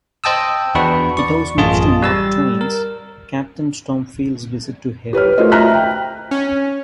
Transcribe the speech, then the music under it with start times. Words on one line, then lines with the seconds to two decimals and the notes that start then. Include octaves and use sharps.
It owes much to Mark Twain's "Captain Stormfield's Visit to Heaven".
0.24 C5 D#5 G5 A5 D#6 E6
0.75 E2 D4 F#4 B4 B5 C#6
1.17 D5 C#6
1.57 A1 F#2 F4 G#4 D#5 A5
2.02 G3 E6 A6
2.61 A#4
5.13 G4 B4 C#5 F6
5.38 A3 F4 F#4 A#4 C5 D#5
5.52 A3 E5 A#5 F6 F#6 B6
5.74 G5
6.31 C#4